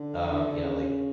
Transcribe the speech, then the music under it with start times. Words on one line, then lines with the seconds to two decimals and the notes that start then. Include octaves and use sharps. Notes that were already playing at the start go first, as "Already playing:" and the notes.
um, you know, like
Already playing: D3
0.31 D3
0.64 C#3